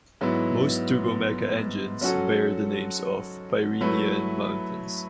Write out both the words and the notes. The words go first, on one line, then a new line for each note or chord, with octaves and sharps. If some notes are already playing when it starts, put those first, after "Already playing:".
Most Turbomeca engines bear the names of Pyreneean mountains.
G#2 F#3 B3 E4
F#3 C#4 F#4 A4
F#3 A3 E4 B4